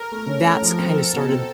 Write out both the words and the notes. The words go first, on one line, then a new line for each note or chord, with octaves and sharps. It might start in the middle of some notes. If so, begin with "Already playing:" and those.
that's kinda started,
Already playing: A#4
A3
C#4
A3
F3
C4 A4
C4
B2
C4